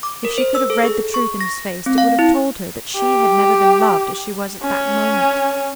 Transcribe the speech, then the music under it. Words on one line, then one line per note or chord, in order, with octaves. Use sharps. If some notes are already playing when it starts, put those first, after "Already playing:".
If she could have read the truth in his face, it would have told her that she had never been loved as she was at that moment.
D6
A#4
C5
E6
A4
G#4
C#6
A#6
C4
F5
E4
G4
C#4